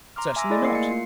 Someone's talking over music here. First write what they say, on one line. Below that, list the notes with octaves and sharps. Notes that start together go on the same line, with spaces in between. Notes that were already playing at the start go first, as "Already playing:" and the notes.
"Certainly not!"
A#5 C6 D6 F6
E5 G#5 C6 D6 E6 A#6
E4 G#4 D5 D#5 G#5 C6
A#3 A#4 C7 C#7
A3 C#7
F4 C7